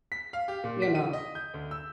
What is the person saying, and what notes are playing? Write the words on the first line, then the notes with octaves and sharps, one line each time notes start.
you know,
B6
F5
G4
A#2
B6
D#7
D#5
G6
D2
E6